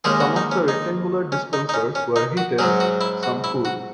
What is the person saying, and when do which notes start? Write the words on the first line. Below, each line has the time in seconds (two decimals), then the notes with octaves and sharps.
Some of the rectangular dispensers were heated, some cooled.
0.04 D#2 D#3 G#3 C#4 G#4
0.20 F#4
0.36 D#4
0.51 C#4
0.68 D#4
1.32 C#4
1.53 D#4
1.69 D#4
1.74 C#4
1.95 C#4
2.16 D#4
2.37 F#4
2.58 G#2 F#3 C#4 G#4
2.80 F#4
3.01 E4
3.23 F#4
3.44 E4
3.65 F#4